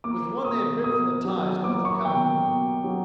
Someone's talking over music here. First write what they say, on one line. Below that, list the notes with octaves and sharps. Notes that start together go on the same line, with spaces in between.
It was the one they had ripped from the ties north of Calhoun.
A#3 D6
B2 D#6
B2 D#6
F#3
A#3 D6
C#6
B2 G5
B2
F#3